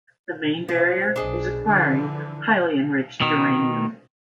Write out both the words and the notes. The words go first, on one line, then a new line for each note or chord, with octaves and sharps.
The main barrier is acquiring highly enriched uranium.
C3 F3
B1 D4 G#4 D#5
D3 E3 F3
B2 D#3